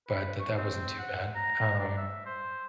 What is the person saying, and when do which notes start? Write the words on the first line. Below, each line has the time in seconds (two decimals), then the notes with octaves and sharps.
but that that wasn't too bad, um,
0.08 B4
0.39 C#6
0.57 C4
0.98 F#5
1.35 A#5
1.79 D4
1.97 E5
2.26 C5